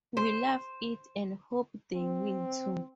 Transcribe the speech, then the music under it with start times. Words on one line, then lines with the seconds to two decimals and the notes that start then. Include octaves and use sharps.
We love it and hope they will too!
0.17 C5
1.96 C4